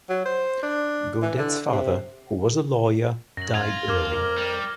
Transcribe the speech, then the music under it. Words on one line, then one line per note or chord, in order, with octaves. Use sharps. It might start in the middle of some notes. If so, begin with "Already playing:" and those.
Godet's father, who was a lawyer, died early.
F#3
C5
D4
E3
D3
C3
F#2 A#6 F#7
F4 G#6
F2 A#4 D6 F6 G#6
A#4
G3